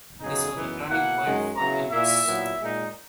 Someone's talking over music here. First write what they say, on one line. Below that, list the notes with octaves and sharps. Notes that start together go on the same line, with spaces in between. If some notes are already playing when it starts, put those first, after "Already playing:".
This was a turning point for Elvis.
C#3 F#3 B3 D#4 G#4
F#2 E3 B3 D#4
B2 A#3 E4 F#5
F#2 D#3 G#3
C#3 F#3 B3 E4 A#5
A#2 A#3 E4 E5
A#2 F#3 B3 E4
A#2 G#3 D#4